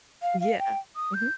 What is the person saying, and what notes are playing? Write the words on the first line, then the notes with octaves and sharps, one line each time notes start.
Yeah. Mhm.
F5
F5
G5
D#6
G6